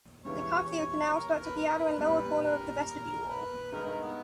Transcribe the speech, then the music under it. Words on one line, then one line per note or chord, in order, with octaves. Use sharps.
The cochlear canal starts at the outer and lower corner of the vestibule.
E2 C#3 E3 G3 C#5
C#5
A#4
B4
A#4
B4
A#2 G3 C#4 G4 B4
A#4
B4
G2 D#3 G#3 D#4 A#4
A#4
B3